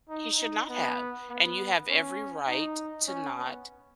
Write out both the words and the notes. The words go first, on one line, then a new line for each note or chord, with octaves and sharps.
He should not have, and you have every right to not,
D#4
D#4
B3
B3
C#4
D#4
C#4
B3